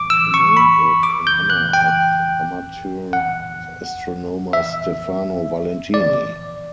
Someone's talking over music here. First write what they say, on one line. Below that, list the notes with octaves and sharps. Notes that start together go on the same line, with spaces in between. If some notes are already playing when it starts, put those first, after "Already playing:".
He named it in honour of amateur astronomer Stefano Valentini.
Already playing: D6
E6
C#6
B5
D6
G6
F#6
G5
F#5
E5
D5